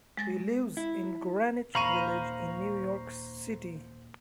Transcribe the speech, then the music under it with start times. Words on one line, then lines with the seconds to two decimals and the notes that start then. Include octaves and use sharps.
He lives in Greenwich Village in New York City.
0.17 G#3 A6 A#6
0.77 E4
1.75 D#2 A#2 C5 F5 A#5 B5 C#6 D#7